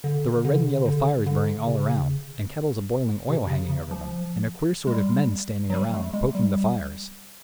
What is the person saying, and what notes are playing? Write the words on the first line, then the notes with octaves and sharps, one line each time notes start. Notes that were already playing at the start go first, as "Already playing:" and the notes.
There were red and yellow fires burning all around, and kettles of boiling oil hanging over them, and a queer sort of men standing round, poking the fires.
D3
D3
C#3
C3
C#3
D3
D3
C#3
C3
C#3
C#3
F3
G#3
G3
F#3
G3
A3
G#3
G3